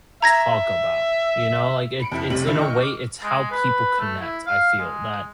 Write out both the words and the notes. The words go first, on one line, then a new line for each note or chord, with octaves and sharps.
talk about, you know, like it it's in a way, it's how people connect, I feel, that,
E5 A#5 G#6 A#6
B5 C#7 D7
F2 E4
F1 B1 C3 G3 F#7
A1 D3 D#3 F3 E4 E6
D#5 G5 C#6 F6
D6
G#3
B4
A3
E4
F5
G#3